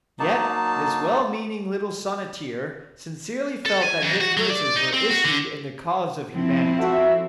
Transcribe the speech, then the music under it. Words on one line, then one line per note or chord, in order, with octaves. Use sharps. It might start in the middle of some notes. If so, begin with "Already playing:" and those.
Yet this well-meaning little sonneteer sincerely felt that his verses were issued in the cause of humanity.
F#3 A#3 D#4 A5
A4
G#5
F2
F#4
F#3
D5
D#4
C4
F#4
D3
F3 C4 E4
F#4 A4 E5